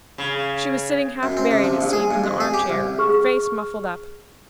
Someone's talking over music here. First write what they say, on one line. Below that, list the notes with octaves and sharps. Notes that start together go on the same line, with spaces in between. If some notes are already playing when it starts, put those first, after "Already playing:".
She was sitting half buried, it seemed, in the arm-chair, her face muffled up.
C#3
F#2
C4
C3
F3
A#1
G#4
G2
F2
G#4
G4
C2
G#4 C#6 F6